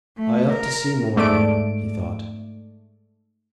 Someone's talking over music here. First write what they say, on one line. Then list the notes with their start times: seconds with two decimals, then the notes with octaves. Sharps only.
"I ought to see more of her," he thought.
0.17 A3
0.50 A#4
1.16 G#2 A3 D5 D7